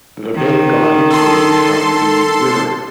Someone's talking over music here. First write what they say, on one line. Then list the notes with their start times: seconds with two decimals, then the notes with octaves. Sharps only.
The bay got its name from the river.
0.35 D#3
1.10 A4 C6